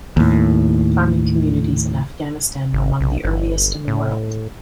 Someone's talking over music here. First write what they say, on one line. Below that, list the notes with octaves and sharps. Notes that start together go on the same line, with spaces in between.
Farming communities in Afghanistan were among the earliest in the world.
D#2 A2
G#1
B1
G1
A2